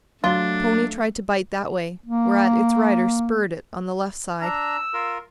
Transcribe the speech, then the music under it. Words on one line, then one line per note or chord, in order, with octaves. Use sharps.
The pony tried to bite that way, whereat its rider spurred it on the left side.
F#3 A3 D4 F4 G7
A#3
D4 A#5 E6
F4 A#4